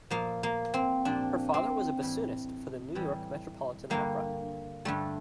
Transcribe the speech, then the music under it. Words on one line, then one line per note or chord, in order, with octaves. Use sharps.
Her father was a bassoonist for the New York Metropolitan Opera.
A#2 F3 A#3
A#3
C4
A#2 F3 D4
C4
A2 E3 G3
A2 E3 G3
G2 D3 G3 A#3
G2 D3 G3 A3